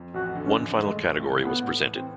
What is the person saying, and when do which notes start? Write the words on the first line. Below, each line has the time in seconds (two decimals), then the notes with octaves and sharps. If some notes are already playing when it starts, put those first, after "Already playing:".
One final category was presented.
Already playing: F2
0.14 A1 F#4
0.35 D3
0.46 C#4
0.57 A1
0.77 G#3 A3
1.00 A3
1.20 C#2
1.41 A2 B3
1.63 A2
1.84 E3
1.95 C4